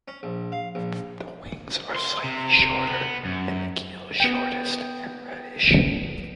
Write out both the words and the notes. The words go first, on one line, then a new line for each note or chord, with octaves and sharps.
The wings are slightly shorter and the keel shortest and reddish.
C#4
A#1
F5
A#1
C6
C3
B3
F#2
B3 G5